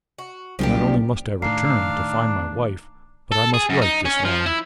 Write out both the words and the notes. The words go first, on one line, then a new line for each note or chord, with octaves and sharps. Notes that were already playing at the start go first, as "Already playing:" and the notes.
"Not only must I return to find my wife but I must right this wrong."
F#4
F#1 C2 F3 G3 A#3 D4 G4
A2 D#3 D4 F5 A#5 C7
A4
G#4
F#2
D#4
C#4
F3
E4